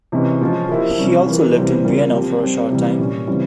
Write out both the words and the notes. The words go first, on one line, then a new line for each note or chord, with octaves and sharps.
He also lived in Vienna for a short time.
C3 E3 G#3 C#4
F3 G#3 C#4 F4
F3 A#3 E4 G4
C3 G3 C#4
E3 A#3 F4
C3 E3 G3 C4 E4
C#3 G3 A#3 F4
F3 C4 G4
G3 C4 G4
C3 E3 G3
A#2 G3 C#4
C#3 E3 G3 C4